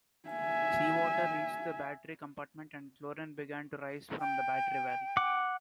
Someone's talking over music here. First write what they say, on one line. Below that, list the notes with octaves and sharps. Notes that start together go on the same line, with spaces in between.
Seawater reached the battery compartment and chlorine began to rise from the battery well.
E5 G#5
G5
F#5 D6